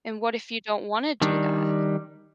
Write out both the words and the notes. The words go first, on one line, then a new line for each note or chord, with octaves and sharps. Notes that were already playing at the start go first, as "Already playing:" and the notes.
and what if you don't wanna do that?
D#3 G3 D4